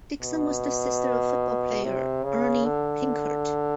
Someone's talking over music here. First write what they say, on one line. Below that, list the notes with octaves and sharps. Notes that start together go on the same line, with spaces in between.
Dixon was the sister of football player Erny Pinckert.
B2
C3
C#3
D3